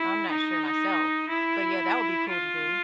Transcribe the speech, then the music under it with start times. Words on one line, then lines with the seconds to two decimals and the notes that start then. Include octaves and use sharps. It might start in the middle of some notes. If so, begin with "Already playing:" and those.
I'm not sure myself. But yeah, that would be cool to do.
Already playing: E4
0.30 D#4
1.29 E4
2.29 F4